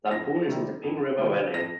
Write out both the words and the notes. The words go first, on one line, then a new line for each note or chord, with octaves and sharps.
Lamphun is in the Ping River valley.
F2 A#6
C3 D#3 G3
F2
C3 D#3 G3
F2 A#6